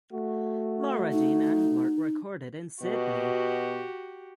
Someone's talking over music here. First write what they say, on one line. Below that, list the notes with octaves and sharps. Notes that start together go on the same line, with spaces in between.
Laura Jean Englert recorded in Sydney.
A3 F#4
D#4
B2 F#4 G4